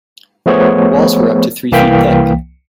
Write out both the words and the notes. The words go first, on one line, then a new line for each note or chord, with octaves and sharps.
Walls were up to three feet thick.
F3 A3 B3 G#4 C5 C#5
C2 E3 A#3 F5 G5 B6